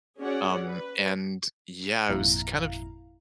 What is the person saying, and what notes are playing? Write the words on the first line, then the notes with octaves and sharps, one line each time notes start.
Um, and yeah, it was kind of
C#4 F#4 G#4 C#5 D5 F#5
B4
G#1 F2 A#2 E4 F5 A#5